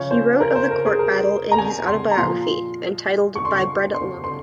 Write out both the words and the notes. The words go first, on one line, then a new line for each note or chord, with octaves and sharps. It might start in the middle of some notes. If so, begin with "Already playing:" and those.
He wrote of the court battle in his autobiography, entitled "By Bread Alone".
Already playing: C#3 F3 C#5
C5
A#4
C5
A#4
G#4
A#4
A#5
G#5
C6
A#5
A#2 F3 C6
C#6
C6
C#6
C6
C6